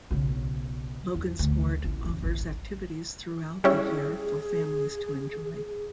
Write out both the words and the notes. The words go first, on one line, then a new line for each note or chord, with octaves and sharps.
Logansport offers activities throughout the year for families to enjoy.
B1 C#3
E2
D2
A1
F#2 E3
A1 E3
G3 C#4 E4 G#4